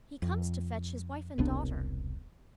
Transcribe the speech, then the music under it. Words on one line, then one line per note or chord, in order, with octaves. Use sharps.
"He comes to fetch his wife and daughter."
F2
E1 C2 B3 D4